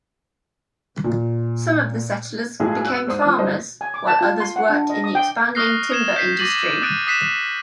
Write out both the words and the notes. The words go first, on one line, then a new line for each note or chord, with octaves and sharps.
Some of the settlers became farmers, while others worked in the expanding timber industry.
A#2
B1 A2 F3 G#3 G#4 G#5
E6 F#6
G#2 C5 D#6
F3 D#6
G1 G3 C5 D#5
G#5
D6
A5
F4
C6
F#5
D4
D#5
D#6
G5
C#6 D#6 F6 F#6 A#6 C7
D#6 G#6 E7
G6 B6 C7
D6 A6 A#6 D#7 F#7
D#6 F#6 A6 D7 D#7
D#6 F#6 B6 C7 E7